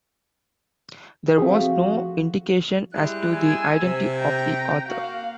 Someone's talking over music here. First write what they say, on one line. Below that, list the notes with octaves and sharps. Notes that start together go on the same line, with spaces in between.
There was no indication as to the identity of the author.
F3 A3 C4 F#4 G#4
G3 G#3 E4 F#6
G#5 E6
C3
G5 A#5
A#3 F#4 F5